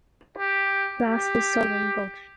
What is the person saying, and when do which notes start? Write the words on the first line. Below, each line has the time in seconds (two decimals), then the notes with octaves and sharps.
Last is Sullivan Gulch.
0.38 G4
1.08 G4